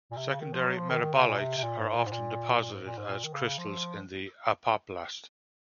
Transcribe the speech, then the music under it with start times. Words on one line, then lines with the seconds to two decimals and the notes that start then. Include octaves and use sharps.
Secondary metabolites are often deposited as crystals in the apoplast.
0.11 A#2
0.17 C3
0.29 C#3
0.41 D#3
0.54 F3
0.66 F#3
0.78 F3
0.90 D#3
1.02 D#3
1.14 C#3
1.27 A#2
1.38 C3
1.57 C3
1.63 A#2
1.79 G#2
1.96 A#2
2.06 G#2
2.12 A#2
2.61 A#2
2.72 G#2
2.85 A#2
2.97 G#2
3.09 A#2
3.24 D#3
3.34 C#3
3.58 F3